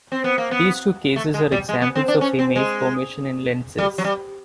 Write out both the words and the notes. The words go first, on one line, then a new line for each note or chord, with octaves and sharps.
These two cases are examples of image formation in lenses.
C4
B3
A#3
B3
A3
G#3
G3
G#3
B3
C4
D4
C#4
C4
G#3
G3
F#3
G3